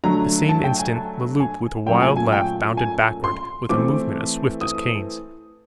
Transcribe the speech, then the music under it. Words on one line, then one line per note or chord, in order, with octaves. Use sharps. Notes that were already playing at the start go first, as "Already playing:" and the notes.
At the same instant Le Loup with a wild laugh bounded backward with a movement as swift as Kane's.
D3 F#3 A3 A#5
A5
G5
G#5
A5
G#5
A#2 F#3 A3 C#4 G5
G#5
G#5
G5
G#5
C6
E3 A3 C4 D6
D#6